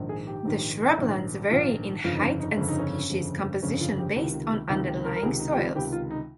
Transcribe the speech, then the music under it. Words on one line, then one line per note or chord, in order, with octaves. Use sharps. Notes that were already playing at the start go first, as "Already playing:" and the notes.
The shrublands vary in height and species composition based on underlying soils.
Already playing: A#1 G#2 D#3
G#4
G4
A#1 G#2 D#3
A#1 G#2 D#3
A#1 G#2 D#3 F4
G1 F2 C#3 F4
D#4
C#4
D#4
G1 F2 C#3 C#4
D#4
C#4
G1 F2 C#3
G1 F2 C#3 C#4
F4
G4
C#2 C3 D#3
C#2 C3 D#3 D#4
G4
A#4
A#4
C#2 C3 D#3 G#4
D#4
G4
F4
C#2 C3 D#3 G4
F4
D#4